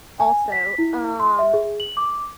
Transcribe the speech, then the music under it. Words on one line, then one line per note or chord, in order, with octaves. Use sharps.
Also, um,
G#5
B6
E4
C6
E5
G#4
F#7
D6